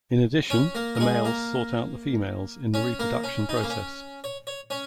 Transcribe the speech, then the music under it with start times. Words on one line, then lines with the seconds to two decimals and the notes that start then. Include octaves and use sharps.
In addition, the males sought out the females in the reproduction process.
0.50 C#4 C#5
0.75 A#3 A#4
0.95 A#4
1.00 G#3 G#4
1.25 A#3 A#4
2.74 C#4 C#5
2.99 A#3 A#4
3.24 C#4
3.49 D#4
3.56 C#4
3.63 A#3
3.70 C#4
4.24 C#5
4.47 C#5
4.70 C#4 C#5